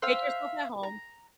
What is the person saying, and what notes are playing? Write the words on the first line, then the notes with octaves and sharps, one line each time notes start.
"Make yourself at home."
C5 E5 F5
A#5